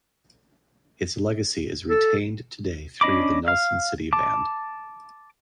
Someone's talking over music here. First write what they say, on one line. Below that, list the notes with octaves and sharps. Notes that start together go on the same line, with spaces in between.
Its legacy is retained today through the Nelson City Band.
A4
C#4 D4 D#5 B5 D6
F5 F6
A5 D6